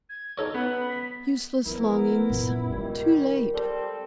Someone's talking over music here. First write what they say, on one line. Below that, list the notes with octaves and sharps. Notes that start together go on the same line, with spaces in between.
Useless longings! Too late!
G#6
D#4 A4 C#5
B3 B5
B6
F3 B3 E4 A#4
F#2 A#2
G#2 D#3 G3 G#3 F4 A#4
G3 C4 A4